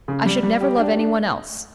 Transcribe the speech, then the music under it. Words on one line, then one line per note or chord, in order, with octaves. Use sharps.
"I should never love any one else."
C#3
G3
G3
G4
D4
D4